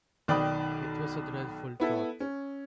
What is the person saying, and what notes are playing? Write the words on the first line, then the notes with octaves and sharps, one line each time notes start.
It was a dreadful thought.
B1 D#3 D5 G5 B5 D#6
B3 E4 A4
C#4